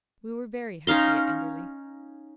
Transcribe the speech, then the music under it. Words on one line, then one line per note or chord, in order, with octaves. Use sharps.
We were very happy at Enderley.
C#4 D#4 F5 C6